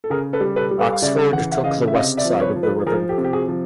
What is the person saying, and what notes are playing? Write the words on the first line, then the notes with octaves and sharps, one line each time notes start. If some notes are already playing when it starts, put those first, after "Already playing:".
Oxford took the west side of the river.
A4
C#3 G#4 A#4
A4 B4
G3
A4 B4
G3
A4 B4
F5
C#3 D5 E5
E3 F#5
E5 F#5
C#3 D#5 F5
E5
C3 D#5 F5
D5 E5
F3
B4 C#5
F3
A4 B4
F3 G#4 A#4
G4 A4
C3
G4
F#4 G#4
F3